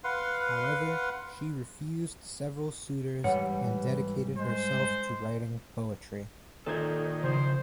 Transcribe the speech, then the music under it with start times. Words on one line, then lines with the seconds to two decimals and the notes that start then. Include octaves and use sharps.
However, she refused several suitors and dedicated herself to writing poetry.
0.04 B4 F5 F#5 C6
3.24 G#2 E3 G3 C#5 F#5
4.38 G#3 C5
6.66 A#2 D#3 D#4 A4 C5 D#5 G#6
7.24 C#3 F3 A#4 C5